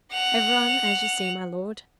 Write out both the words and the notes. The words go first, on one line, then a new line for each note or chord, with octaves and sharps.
"Everyone, as you see, my lord."
F#5 F7